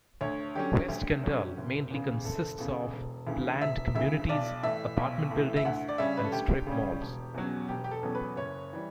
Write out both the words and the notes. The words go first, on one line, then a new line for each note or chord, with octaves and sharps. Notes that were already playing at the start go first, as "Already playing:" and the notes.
West Kendall mainly consists of planned communities, apartment buildings, and strip malls.
D2 C#5
D3 F#3 C#4 G4
D2
D3 F#3 C#4
F#1
E2 C#3
F#1 A4
E2 C#3
E1
D2 C#3 E3
E1 E5
D2 C#3 E3 E5
B1 D5
A2 E3 E5
B1
A2 E3
E5
D2 F#5
D5
C#3 G3 C#4 E5
B4
A4
D2 G4
C#3 G3 C#4
E1
E2 B2 F#3 C#4
E1 G4
G4
A4
E2 B2 F#3 C#4
B4
F#1 C#5
E3 G3